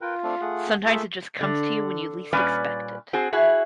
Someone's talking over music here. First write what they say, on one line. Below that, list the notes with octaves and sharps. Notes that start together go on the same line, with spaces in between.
Sometimes it just comes to you when you least expect it.
F4 A#4 B4 G5
A3 C4 D4
A3 G#4 F#5
A3 A#3 F4 G#4 E5
D3
A#2 G3 C#4 B4 D5
C4 F#4 G#4
E4 F#4 G#4